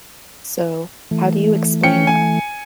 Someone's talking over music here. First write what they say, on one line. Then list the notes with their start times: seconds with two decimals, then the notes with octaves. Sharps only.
So, how do you explain that?
1.11 E3 A3
1.84 C#4 G5 C#7
2.07 G#5